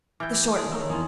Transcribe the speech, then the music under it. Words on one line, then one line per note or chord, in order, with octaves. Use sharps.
"The short one."
E3 G5 D6 E6 F6 G6 G#6
E4 G#4 A5 D7
D#3 C#5 A#5 E6
E2 A#3 C#4 E4 C6 D#6